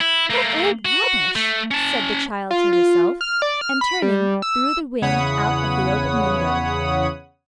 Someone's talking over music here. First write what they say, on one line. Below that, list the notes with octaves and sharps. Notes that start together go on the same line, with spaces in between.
'What old rubbish,' said the child to herself, and, turning, threw the wing out of the open window.
E4
A3 A#3
F#4
A3
C#4 A5
F4
F4
F6
D5
F6
B5
G3
E6
E2 C#3 C#5 F#5 B5 D#6